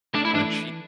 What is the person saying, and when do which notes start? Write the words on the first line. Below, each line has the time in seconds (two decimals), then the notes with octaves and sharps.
Kinda cheek.
0.14 A3 D4
0.25 E4
0.35 E3 D4